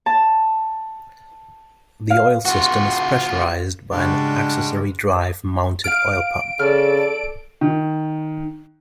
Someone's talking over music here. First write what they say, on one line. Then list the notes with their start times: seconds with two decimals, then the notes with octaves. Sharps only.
The oil system is pressurized by an accessory-drive mounted oil pump.
0.06 A5
2.10 F5
2.45 F4 F#4
3.91 G#2 C#3 G3 G#3 D4 F#4
5.84 F5 F6 D7
6.59 C#3 A4 D5 F6
7.61 D#3